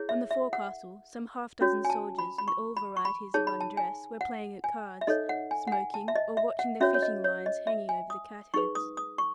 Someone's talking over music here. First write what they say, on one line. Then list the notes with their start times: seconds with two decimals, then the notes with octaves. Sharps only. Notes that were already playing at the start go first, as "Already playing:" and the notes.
On the forecastle, some half-dozen soldiers, in all varieties of undress, were playing at cards, smoking, or watching the fishing-lines hanging over the catheads.
Already playing: E4 G#4 C#5
0.09 E5
0.31 E5
0.53 F#5
1.61 C#4 F#4 C#5
1.85 G#5
1.90 A5
2.19 B5
2.38 B5
2.48 C#6
2.77 B5
2.97 C#6
3.05 B5
3.34 D#4 G#4 C#5 A5
3.47 B5
3.61 A5
3.77 G#5
4.21 F#5
4.64 G#5
5.01 E5
5.07 D#4 A4 C#5 D#5
5.29 F#5
5.51 G#5
5.67 F#5
5.72 G#5
5.94 A5
6.08 E5
6.15 D#5
6.37 E5
6.59 F#5
6.80 C#4 F#4 C#5 E5
6.94 C#5
7.02 D#5
7.24 C#5
7.46 D#5
7.67 E5
7.89 G#5
8.10 D#6
8.54 D#4 G#4 B4 C#6
8.75 D#6
8.97 D#6
9.18 C#6